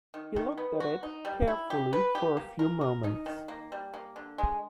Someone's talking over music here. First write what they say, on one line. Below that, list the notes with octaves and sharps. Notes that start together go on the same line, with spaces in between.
He looked at it carefully for a few moments.
D#3
D#3
B3
F#4
D#4
G3
E4
G4
B4
G4
A#3
A#4
A#4
D#4
D#3
A#3
G3
A#3
D3
G#3